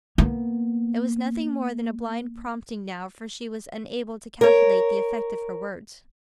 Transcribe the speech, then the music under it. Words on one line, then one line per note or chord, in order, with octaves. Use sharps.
It was nothing more than a blind prompting now, for she was unable to calculate the effect of her words.
A#3 B3
A#4 C#5